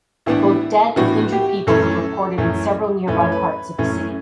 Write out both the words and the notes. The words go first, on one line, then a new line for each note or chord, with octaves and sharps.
Both dead and injured people were reported in several nearby parts of the city.
A2 E3 B3 D4 E4
A2 E3 B3 D4 F#4
G4
F#2 E3 A3 C#4 A4
F#2 E3 A3 C#4
F#2 E3 A3 C#4 B4
C#5
B4
F#2 E3 A3 C#4